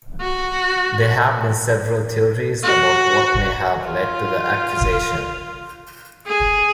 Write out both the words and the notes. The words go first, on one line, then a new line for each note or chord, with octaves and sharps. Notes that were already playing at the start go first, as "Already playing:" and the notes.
There have been several theories about what may have led to the accusation.
F#4
F#4
F4
G#4